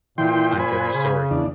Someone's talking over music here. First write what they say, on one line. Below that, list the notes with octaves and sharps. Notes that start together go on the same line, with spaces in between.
I’m very sorry.
A#2 E3 G5 C6
C5 G#5 B5
C#3
E2 D4